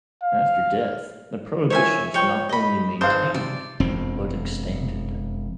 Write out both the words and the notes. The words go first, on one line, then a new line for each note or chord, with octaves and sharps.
After death, the prohibitions are not only maintained but extended.
F5
F4 A#4 C5 C#5 E5 G#5
F3 C#5 G5 C#6
D#5 B5
G#1 C5 F5 F#6
C3 D5
E1 F2 C4